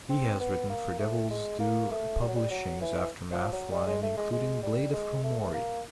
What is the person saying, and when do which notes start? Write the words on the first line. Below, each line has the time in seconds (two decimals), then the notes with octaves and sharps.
He has written for Devil's Due Publishing's Aftermath line including "Blade of Kumori".
0.10 C4
0.40 B3
0.70 A#3
0.99 A3
1.30 G#3
1.60 A#3
1.91 A3
2.21 G3
2.28 F#3
2.36 G3
2.50 F#3
2.81 E3
3.32 F3
3.52 F#3
3.71 G3
3.87 G#3
4.02 A3
4.17 G#3
4.32 G#3
4.62 G3
4.93 G#3
5.24 A3
5.54 A#3